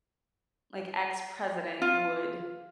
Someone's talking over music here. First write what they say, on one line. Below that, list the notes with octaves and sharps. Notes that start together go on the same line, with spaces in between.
like, ex-president would
F4